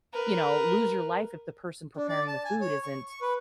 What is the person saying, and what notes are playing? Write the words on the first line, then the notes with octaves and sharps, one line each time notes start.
you know, lose your life if the person preparing the food isn't,
A#4 B4
D4
D5
A5
G#5
C#5
C#6
C#6
B4